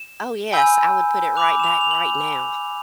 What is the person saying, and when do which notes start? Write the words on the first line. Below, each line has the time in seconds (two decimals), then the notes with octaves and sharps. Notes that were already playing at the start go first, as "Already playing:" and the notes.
Oh yes, I would put it right back, right now.
Already playing: E7
0.53 G#5 B5 E6 G6
1.36 B5 D6 F#6 F7
1.60 E7
1.63 F7
1.81 F7
1.91 F#7